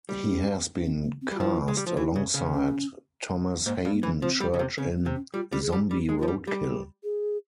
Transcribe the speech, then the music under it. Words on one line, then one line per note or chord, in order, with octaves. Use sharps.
He has been cast alongside Thomas Haden Church in "Zombie Roadkill".
G3
E4
C#4
C4
A#3
C4
G3
F4
F3 E4
G#3
G3
F3
E3 E4
C#3
C#3
C#4
G#2 A#3
G2
A#3
E3
F3 C4
G3
C#3
C3
C#3 C4
C4
C3
C#4
G3 F4
G3
G#4
G3
G3 G4
G#3
F4
F3
G3
G3 G4
G#4